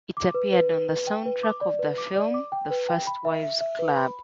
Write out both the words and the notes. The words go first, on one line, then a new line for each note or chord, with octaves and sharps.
It appeared on the soundtrack of the film "The First Wives Club".
D6
B4
B4
B4
B4
G5
B4
D6
D5
B4
D6
D5
D6
G5
B4
G5
B5
E5
E5
E5
B4
B5